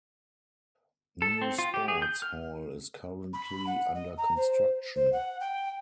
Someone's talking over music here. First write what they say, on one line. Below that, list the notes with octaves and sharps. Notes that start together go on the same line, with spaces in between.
New sports hall is currently under construction.
A4
C4
F4
G4
G#4
G6
F6
B5
F#5
D#5
A#5
C5
C5
F#5
G5